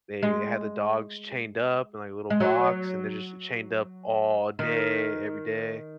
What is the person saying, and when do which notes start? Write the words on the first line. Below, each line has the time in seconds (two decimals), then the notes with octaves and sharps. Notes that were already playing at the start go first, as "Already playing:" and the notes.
they had the dogs chained up in, like, a little box and they're just chained up all day, every day.
0.23 G#3
2.30 G#3
2.40 F#3
4.59 D#3